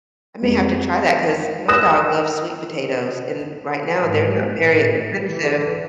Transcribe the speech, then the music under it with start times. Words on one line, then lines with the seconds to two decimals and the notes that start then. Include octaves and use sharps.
I may have to try that ‘cause my dog loves sweet potatoes. And right now, they're not very expensive.
0.42 F2 G#3
1.68 D#6 E6 F#6 A#6 E7
4.00 G#2
4.58 A2
5.26 E3